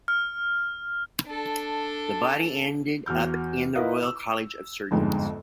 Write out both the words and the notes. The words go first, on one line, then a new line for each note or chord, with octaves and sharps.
The body ended up in the Royal College of Surgeons.
F6
D4 A4
E2 F#4 F6 G6
E4 A#4 B4 D#5 F5 F#5
E6
G1 F2 G#2 G#3